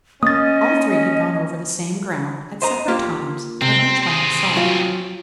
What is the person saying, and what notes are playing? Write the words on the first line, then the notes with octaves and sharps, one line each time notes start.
All three had gone over the same ground, at separate times, and each by himself.
A#3 C#4 D#5 D#6 A6
C5 D#5 A#5
A#3 F4 G4
C3 C4
C4 G#4
F#3 F4